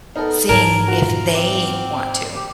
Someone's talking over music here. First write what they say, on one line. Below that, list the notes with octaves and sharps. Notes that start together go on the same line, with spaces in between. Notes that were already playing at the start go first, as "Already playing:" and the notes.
seeing if they want to.
B3 D#4 A4 A#4
G#2 E3 A#4 G#5 A5
F4 F#4 A#5
C4 D6
G4